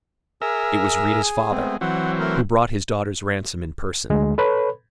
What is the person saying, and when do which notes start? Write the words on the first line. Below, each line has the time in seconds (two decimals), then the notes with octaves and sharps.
It was Rita's father, who brought his daughter's ransom in person.
0.42 G#4 A#4 E5 G#5
1.52 G#3 A3 B3 C4
1.81 E3 F#3 C4 F#5
2.19 A3 A#4
4.10 D2 G#3
4.38 A4 B4 C#5 B5